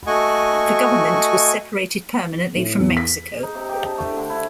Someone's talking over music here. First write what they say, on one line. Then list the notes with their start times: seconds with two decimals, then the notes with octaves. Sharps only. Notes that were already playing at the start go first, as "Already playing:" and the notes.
The government was separated permanently from Mexico.
0.07 A3 F#4 D#5 G#5 C#6
2.56 A2
2.79 E2
2.97 B6
3.43 D#4
3.55 C3
3.69 G4
3.84 D4
3.98 A3
4.17 D3
4.30 E4